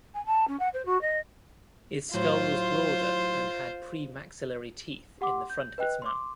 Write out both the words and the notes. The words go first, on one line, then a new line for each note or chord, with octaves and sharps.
Its skull was broader and had premaxillary teeth in the front of its mouth.
G#5
A5
C#4
F#5
C5
F#4
D#5
A2 F#3 F4 C5
G4 F#5 C6 D6
G6
B4 D#5 G5 F#6
C6 D6